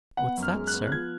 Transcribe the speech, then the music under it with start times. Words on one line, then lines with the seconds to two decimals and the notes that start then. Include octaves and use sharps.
"What's that, sir?"
0.17 B3 F#5
0.37 F#2
0.43 F6
0.55 G#3
0.67 F#6
0.73 B3
0.87 F#6
0.92 F3 G#6